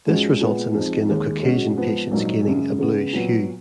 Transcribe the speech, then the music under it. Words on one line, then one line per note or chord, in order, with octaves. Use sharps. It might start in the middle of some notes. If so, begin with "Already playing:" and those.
This results in the skin of Caucasian patients gaining a bluish hue.
G#2 F3 G#3 C#4 F#4
A#2 G#3 B3
F2 F3 G#3 D#4
D#2 D#3 G#3
B2 G#3 C#4 F#4
G#2 F3 B3
A#1 G#2 F#3 A#3 D#4
F#2 C#3 G#3
C#3 G#3 B3
A#2 F#3 B3